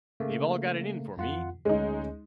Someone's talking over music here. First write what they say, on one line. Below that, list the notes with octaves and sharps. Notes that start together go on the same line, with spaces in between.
They've all got it in for me!
C#3 A3 A#3
F2 F4 F#5
D2 G#3 C#4 D#4